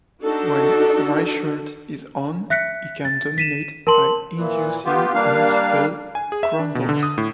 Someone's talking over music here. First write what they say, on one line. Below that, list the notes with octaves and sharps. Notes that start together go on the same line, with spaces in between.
When Reichert is "on", he can dominate by inducing multiple groundballs.
D4 D#4 F#4 A4
E5 F#6 B6 C#7
A6
B6 D#7 E7
A#4 A5 C6 F#7
A#2 E3
B3 F4 G4
G3 A#3 D4 F5
G#5
G#4
E5
D4
B2
D3
D#6
A2